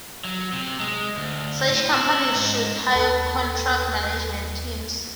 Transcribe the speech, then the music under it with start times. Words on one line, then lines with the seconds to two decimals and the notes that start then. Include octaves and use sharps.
Such companies should hire contract management teams.
0.25 F#3
0.53 C3
0.80 G#3
1.17 D2
1.69 A2
1.93 E4
2.35 G#2
2.96 D#2 A4 B4